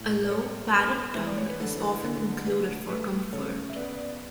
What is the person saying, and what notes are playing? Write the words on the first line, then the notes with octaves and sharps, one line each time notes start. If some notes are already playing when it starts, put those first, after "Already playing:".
A low, padded tongue is often included for comfort.
Already playing: A2
D5
G3 A4 C#5
B3 B4
E3 E5
D5
C#5
B4
D3 A4
D3
A3 B4
A3 B4
C#3 A4 C#5
E5
B3 B4 D5